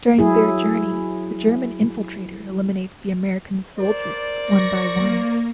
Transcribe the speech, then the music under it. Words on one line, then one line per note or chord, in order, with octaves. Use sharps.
During their journey the German infiltrator eliminates the American soldiers one by one.
F#3 E4 G#4
A#4 C5 D5
C#6 A#6
A#3